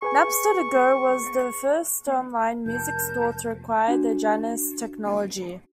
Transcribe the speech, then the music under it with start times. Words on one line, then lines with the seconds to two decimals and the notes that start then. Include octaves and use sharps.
Napster To Go was the first online music store to require the Janus technology.
0.02 G#4 B4 G#5 C#6
2.66 F1 A#4 A5 G6
3.88 D4 F#4